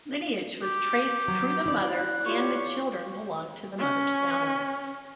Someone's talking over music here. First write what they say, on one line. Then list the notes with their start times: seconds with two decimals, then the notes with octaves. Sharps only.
Lineage was traced through the mother, and the children belonged to the mother's family.
0.63 G4
1.28 F#3
1.66 E3 D5
1.95 F#5
2.26 F4 G4 C#5 C#6
3.79 C#4